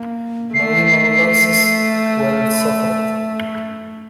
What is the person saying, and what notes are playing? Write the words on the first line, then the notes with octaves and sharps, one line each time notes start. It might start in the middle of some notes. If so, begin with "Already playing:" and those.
No human losses were suffered.
Already playing: A#3
A3 C7